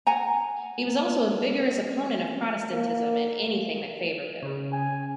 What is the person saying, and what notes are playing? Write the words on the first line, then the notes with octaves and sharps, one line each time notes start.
He was also a vigorous opponent of Protestantism, and anything that favored it.
F#5 G#5 A#5
A#3
C#3
G#5